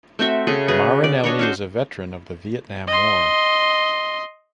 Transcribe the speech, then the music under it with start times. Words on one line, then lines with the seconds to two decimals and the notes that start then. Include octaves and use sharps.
Marinelli is a veteran of the Vietnam War.
0.19 A3 C4 F#4 E5
0.47 C#3 G#4 A4
0.68 F#4 G#4 B4
1.04 D5
1.24 D4 F#4 C#5 D#5
1.39 C#4 F#4 C5
2.87 D#5 C6